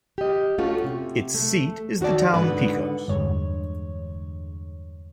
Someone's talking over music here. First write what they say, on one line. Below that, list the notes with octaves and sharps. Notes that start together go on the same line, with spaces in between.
Its seat is the town Picos.
G4 D#5
A3 C#4 F4 F#4
C3
A3
D#3 F#4 C#5 D5 A5
G#2 D3 B3 B4
E2 G2 D3 G#3 C#5